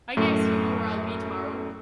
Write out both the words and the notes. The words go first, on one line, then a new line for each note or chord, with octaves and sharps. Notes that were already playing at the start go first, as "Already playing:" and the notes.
I guess you know where I'll be tomorrow!
F#2 A2 A3